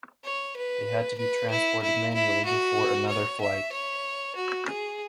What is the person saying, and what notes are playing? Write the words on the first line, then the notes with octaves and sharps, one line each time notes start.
They had to be transported manually before another flight.
C#5
B4
B4
E4
E4
E4
F#4
C#5
E5
C#5
F#4
G#4